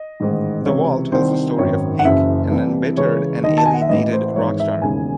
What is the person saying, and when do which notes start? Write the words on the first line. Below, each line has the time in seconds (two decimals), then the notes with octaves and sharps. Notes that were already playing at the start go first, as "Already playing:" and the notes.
"The Wall" tells the story of Pink, an embittered and alienated rock star.
Already playing: D#5
0.20 A1 G#2 D#3
0.66 C#2 C3 E3 C#5
1.12 C2 C3 D#3 C5
1.59 G#1 F#2 D#3 C#5
1.99 F#5
2.04 F#1 F#2 C#3 E3 E5
2.51 C2 C3 E3
2.97 C#2 C#3 E3 C#5
3.43 D#2 D#3 D#5
3.57 A5
3.66 G#5
3.74 F#5
3.81 E5
3.89 A1 A2 E3 D#5
4.13 C5
4.36 G#1 G#2 E3 C#5
4.60 E5
4.82 E1 D#2 C#3 G#5